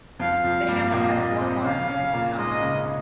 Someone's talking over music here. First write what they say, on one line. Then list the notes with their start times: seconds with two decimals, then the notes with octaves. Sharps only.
The hamlet has four farms and some houses.
0.19 F2 F3 F5
0.44 F2 F3
0.68 G2 G3
0.92 A#2 A#3 D#5
1.16 A#2 A#3
1.41 C3 C4
1.64 C#3 C#4 F5
1.89 C#3 C#4
2.13 A#2 A#3
2.37 G#2 G#3 D#5
2.61 C#2 C#3
2.85 C#3